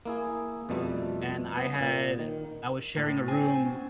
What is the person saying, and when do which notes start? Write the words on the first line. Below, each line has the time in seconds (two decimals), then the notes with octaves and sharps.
and I had I was sharing a room
0.05 A#3 E4 G#4
0.69 F2 B2 G3 A3
1.57 B3
1.80 A#2
2.19 D#3
2.96 A2
3.28 C4 G#5
3.64 B3 C#4